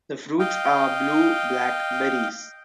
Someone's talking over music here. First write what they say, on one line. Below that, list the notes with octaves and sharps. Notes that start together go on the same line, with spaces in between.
The fruits are blue-black berries.
D#5 F5 G5